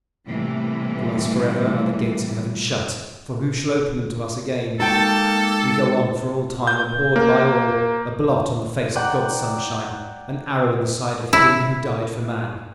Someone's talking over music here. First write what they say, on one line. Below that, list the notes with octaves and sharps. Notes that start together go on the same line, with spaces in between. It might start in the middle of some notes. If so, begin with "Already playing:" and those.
To us for ever are the gates of heaven shut; for who shall open them to us again? We go on for all time abhorred by all; a blot on the face of God's sunshine; an arrow in the side of Him who died for man.
A2 C3 E3 G3 A3 A#3
G#3 A#3 D#4 F#4 A4 G5 A5
G6
A#3
D5 F#5 G5 A#5
E4